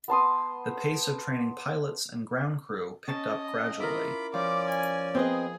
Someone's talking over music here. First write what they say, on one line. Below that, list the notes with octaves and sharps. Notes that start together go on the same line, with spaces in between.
The pace of training pilots and ground crew picked up gradually.
B3 A5 C6 D#6
C#4 D#5 A5
E4 F4 A#4 B5 D6
F3 C#4 D5 D6
G#5
C4 G#4 B4 D#5